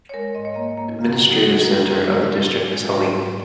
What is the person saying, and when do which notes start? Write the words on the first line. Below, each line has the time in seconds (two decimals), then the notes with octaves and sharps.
Administrative center of the district is Hallein.
0.09 C#5
0.14 G#3 A#4
0.35 G#2 D#5
0.45 C#5
0.54 A#3 D#5
0.77 A#3
0.99 C#3
1.20 F#3 F#4
1.30 D#4
1.41 F#3 F#4
1.52 G#4
1.62 F#2 A#4
1.83 F#2 G#4
2.05 A#3 A#4
2.26 G#2
2.47 A#2
2.69 G#3
2.90 G#2 A#4
3.11 G#2